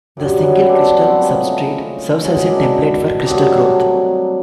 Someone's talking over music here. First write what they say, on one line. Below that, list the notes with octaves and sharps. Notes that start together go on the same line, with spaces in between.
The single crystal substrate serves as a template for crystal growth.
F#2 D#3 G3
B3 C#4
C4 D4
C4
B3
C4
A#2 F3 A3 C#4 D#4
B2 G#3 C#4 D#4
D4 E4
D#4
G2 D#3 F#3 A3 C4 D4